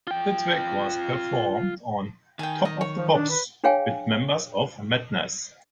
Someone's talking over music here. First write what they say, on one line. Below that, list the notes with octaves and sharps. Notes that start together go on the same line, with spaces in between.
The track was performed on "Top of the Pops" with members of Madness.
F4 G5
D#3 G5 G#5
D#5
C#5
F3
D4
B4
D4 G#4 C#5 F5 G5 G#5